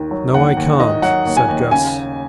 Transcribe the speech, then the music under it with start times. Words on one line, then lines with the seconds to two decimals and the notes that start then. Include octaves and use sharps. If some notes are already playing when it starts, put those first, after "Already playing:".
"No I can't," said Guss.
Already playing: D#2 D#3
0.11 F#3
0.34 D#2 F#5
0.57 D#2
0.80 D#3 D#5
1.02 F#3 F#5
1.26 D#2
1.37 G#5
1.48 D#2
1.71 C#3 G#5